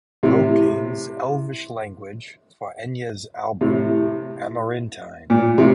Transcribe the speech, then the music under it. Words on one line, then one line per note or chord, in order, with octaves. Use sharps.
Tolkien's Elvish language, for Enya's album "Amarantine".
A2 C3
A2 C3
A#2
A2 C3